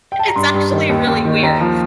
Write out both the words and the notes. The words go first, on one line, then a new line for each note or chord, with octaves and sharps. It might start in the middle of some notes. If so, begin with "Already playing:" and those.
It's actually really weird.
G5
A5
A#5
G2 C6
G2
D#3
D#2
D#2
D#3
D#2 A#5
F3